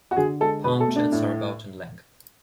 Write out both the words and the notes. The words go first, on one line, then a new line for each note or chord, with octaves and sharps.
Palmchats are about in length.
F#4
D3 G#4
G#3 A4
B2 B4
A4
A3
D4
A2